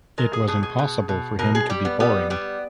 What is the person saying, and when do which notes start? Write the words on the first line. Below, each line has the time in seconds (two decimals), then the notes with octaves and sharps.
It was impossible for him to be boring.
0.18 G#3 A#4
0.33 G#4
0.48 B2 G#4
0.63 G#4
0.79 B2
1.09 B2
1.39 B2 A#4
1.55 G#4
1.69 G3 G4
1.85 B3
2.00 G3 B3
2.30 G3 B3